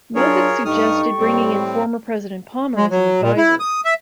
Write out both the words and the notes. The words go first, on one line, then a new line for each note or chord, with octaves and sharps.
Novick suggested bringing in former President Palmer as an advisor.
F#3 D4 F4 G#4 A#4 C#5
G2 D#4 G4 A4 C#6 D#6 F6
A2 G3 C4
G#3
F#3
A#2
E4
D#6
E5